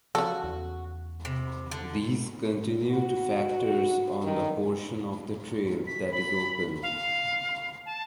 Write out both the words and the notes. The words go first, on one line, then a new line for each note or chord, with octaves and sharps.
These continue to factors on the portion of the trail that is open.
C#3 F3 F#4 A4
E2
C3
D3
F#4
D#3
B6
B5
F5
A5